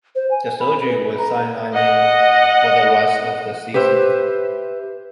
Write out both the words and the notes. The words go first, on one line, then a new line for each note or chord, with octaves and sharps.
The surgery would sideline him for the rest of the season.
C5
G#5
B5
B4
A#5
D#5 F#5
G4 B4 C5 E5